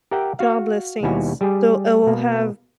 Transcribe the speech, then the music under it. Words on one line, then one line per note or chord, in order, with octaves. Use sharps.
job listings so it will have
G4 A#4 E5 F#5 G5
F#4 F5
D#2 B2 G3 E4 F#4 G#5
G3 G4 G#4
B2 A#3